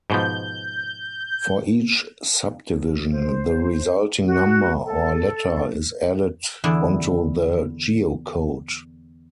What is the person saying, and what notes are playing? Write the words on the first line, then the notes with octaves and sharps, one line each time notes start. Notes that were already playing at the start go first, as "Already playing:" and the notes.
For each subdivision, the resulting number or letter is added onto the geocode.
G#2 B2 F3 G6
C5
F#4
A4
E2 D3 E4